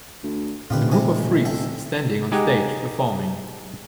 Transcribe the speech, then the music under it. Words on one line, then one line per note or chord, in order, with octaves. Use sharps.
A group of freaks standing on stage performing.
D2
F1 A#2 D3 F4 G4 B4
C3 G4 G#5
A4 E5 G5
G#3 D#4 G4 F#5 G#5